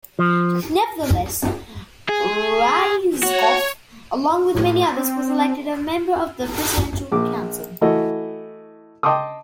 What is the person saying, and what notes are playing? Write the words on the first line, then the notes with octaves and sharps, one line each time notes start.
Nevertheless, Ryzhkov, along with many others, was elected a member of the Presidential Council.
F3
G#4
F#4 C#5
A2
C4
A#1 D6
E3 A3 E4 F#4 D#5
D#5 G5 A5 C6 D6 D#6